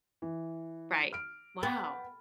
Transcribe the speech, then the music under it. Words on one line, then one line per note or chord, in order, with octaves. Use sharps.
Right, wow.
E3
F6 D7
B3 G5